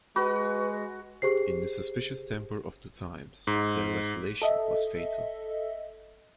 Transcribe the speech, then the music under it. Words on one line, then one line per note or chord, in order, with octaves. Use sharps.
In the suspicious temper of the times, their vacillation was fatal.
G#3 F#4 B4 B5
G4 G#4 C5 C7
G#2
A4 D#5 E5